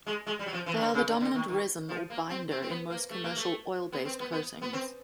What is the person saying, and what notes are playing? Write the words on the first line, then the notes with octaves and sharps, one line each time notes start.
They are the dominant resin or "binder" in most commercial "oil-based" coatings.
G#3
G#3
G3
F#3
F3
E3
D#3
D3
C#3
D3
D3
D#3
D#3
F3
A#3
C4
C4
C4
B3
A#3
A3
A#3
A3
B3
C4
B3
B3
B3
C4